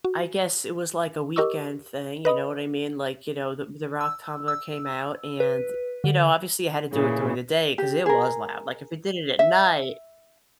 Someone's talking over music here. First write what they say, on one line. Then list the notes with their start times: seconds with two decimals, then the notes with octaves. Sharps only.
I guess it was, like, a weekend thing, you know what I mean, like, you know, the the rock tumbler came out and you know, obviously you had to do it during the day 'cause it was loud, like, if it did it at night
0.05 F#4
1.36 G4 A#4 D#5 C#6 D6 E6
2.25 B4 D#5 B5 D#6
4.01 E6
4.48 E6
5.40 B4
6.04 D3
6.92 A#2 C#3 E3 G#4
7.78 G4
8.06 G#4 A#4
9.39 E5